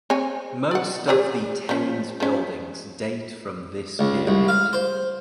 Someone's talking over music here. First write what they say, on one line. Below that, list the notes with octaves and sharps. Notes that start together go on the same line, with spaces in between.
Most of the towns buildings date from this period.
C4 C#5 G#5
D5 F#5
G4 G#4 D5
F3 C#4
F3 C#4
C#2
C2
F5
C5